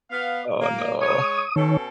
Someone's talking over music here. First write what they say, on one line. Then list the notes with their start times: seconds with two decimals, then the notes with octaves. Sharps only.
Oh, no.
0.10 B3 F5
0.60 A#3
1.01 G#3 C#5 D#6
1.56 B2 D#3 C#4 A4 C#5